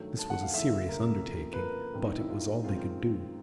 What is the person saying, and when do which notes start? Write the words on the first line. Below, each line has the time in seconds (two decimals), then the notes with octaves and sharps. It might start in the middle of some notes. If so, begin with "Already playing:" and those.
This was a serious undertaking, but it was all they could do.
Already playing: G2 D#3 F#3 A3
0.19 A5
0.30 F#5
0.43 F5
0.53 F#1 E2 C#3 E3 A3 E5
0.89 A#4
1.24 F2 D3 F3 A#3
1.54 B4
1.58 A#4
1.94 G1 G2 E3 G3 C4
2.04 D#4
2.16 E4
2.29 F4
2.64 F#2 D#3 G#3 C4 F4